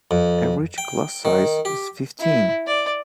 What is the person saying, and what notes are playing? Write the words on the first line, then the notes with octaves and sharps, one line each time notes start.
Average class size is fifteen.
F2
G5
D#3
G4
E4
D5